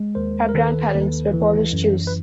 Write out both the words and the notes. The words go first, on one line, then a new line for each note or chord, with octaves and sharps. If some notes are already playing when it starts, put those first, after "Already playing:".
Her grandparents were Polish Jews.
Already playing: G#3
D#2 A#4 C5
A#4
D#3 A4 B4
D#2
E3
F#2
B4